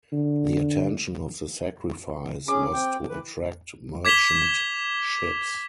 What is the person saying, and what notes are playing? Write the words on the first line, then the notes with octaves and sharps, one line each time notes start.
The attention of the sacrifice was to attract merchant ships.
D3
C#4 G#4 D6
C4 G5
E3 B4
D6 G#6 B6 E7 F7 G7